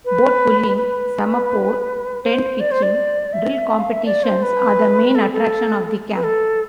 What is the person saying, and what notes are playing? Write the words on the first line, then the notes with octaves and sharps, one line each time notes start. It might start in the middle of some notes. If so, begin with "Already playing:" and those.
Boat pulling, semaphore, tent pitching, drill competitions are the main attraction of the camp.
B4
B4
C5
D5
C5
D5
E5
F5
E5
D5
C5
B4
A4
A4
B4
A4